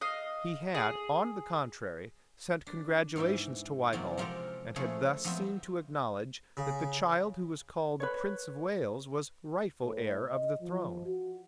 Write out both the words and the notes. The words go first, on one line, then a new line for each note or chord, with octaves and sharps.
He had, on the contrary, sent congratulations to Whitehall, and had thus seemed to acknowledge that the child who was called Prince of Wales was rightful heir of the throne.
D#5 F5
G#4
D4
E2 G#2 E3 E5 G5
E2 C3 F#3 A#3 C#4 D5
F3 G#3 F4 G4 A4 A#4
F3 A3 C#4 E4 G#4 A4
F2 F3 F#3 B3 C4 E5
C#3
B4 C#5
A2
D#5
F3
F#4